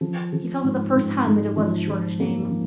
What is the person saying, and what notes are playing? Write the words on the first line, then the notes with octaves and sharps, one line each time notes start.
He felt for the first time that it was a shortish name.
F3
F3
G#2
G#2
G#2
F3
F3
A#3
F3